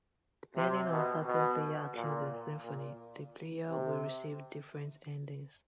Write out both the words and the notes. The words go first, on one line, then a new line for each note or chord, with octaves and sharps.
Depending on certain player actions in Symphony, the player will receive different endings.
C3
B2
B2
A#2
A#2
C3